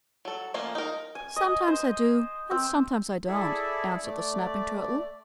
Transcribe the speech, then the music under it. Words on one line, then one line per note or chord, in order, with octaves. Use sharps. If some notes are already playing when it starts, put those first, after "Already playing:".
"Sometimes I do and sometimes I don't," answered the Snapping Turtle.
F#3 A4
F3 A3 A#3 C#4
D#4 A#4
G#5
D#5
C5
C4
E4 G#4 A4 D5 E5
A3 D5